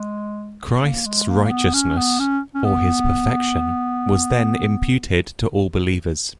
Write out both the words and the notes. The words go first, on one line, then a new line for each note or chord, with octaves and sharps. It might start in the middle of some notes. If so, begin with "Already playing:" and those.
Christ's righteousness, or his perfection, was then imputed to all believers.
Already playing: G#3
A#3
G#3
A#3
A#3
B3
C#4
B3
C#4
C#4
B3